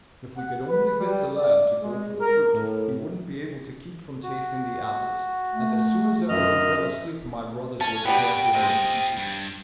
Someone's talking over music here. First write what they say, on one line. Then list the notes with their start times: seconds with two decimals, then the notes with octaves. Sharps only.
If we could only get the lad to go for the fruit, he wouldn't be able to keep from tasting the apples, and as soon as ever he fell asleep my brothers would tear him in pieces.'
0.37 F#5
0.67 B4
1.00 G3
1.35 D5
1.82 G#3
2.21 A#4
2.53 A2
4.23 F#4
5.53 A3
6.29 F#2 F4 A#4 D#5 E5 F6
7.81 C#4 A5
8.05 B2 G3 B3 G5
8.55 C3 G#3 F4 D#5
9.17 G2